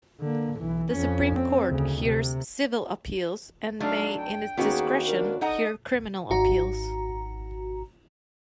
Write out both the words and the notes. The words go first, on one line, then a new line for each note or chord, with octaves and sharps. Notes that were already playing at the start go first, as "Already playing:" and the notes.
The Supreme Court hears civil appeals and may in its discretion hear criminal appeals.
D3 A#3
B1 E3
F2 C#4
C4
D2 C#3
C3
F#3 A3 D4 D#4 F5 A5
G5
D#2 B3 C#4 D#4 F#4 G#4
D4 A#4
D#4 A4 D#5 F#5 A#5 D#6
G#1 F#4 A#5